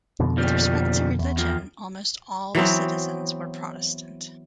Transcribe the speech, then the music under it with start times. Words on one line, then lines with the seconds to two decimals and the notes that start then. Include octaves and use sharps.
With respect to religion, almost all the citizens were Protestant.
0.20 F2 B2 D3
0.37 D#2 F3 G3
1.19 E2
1.37 F2 F3
2.55 E3 F#3 B3 C4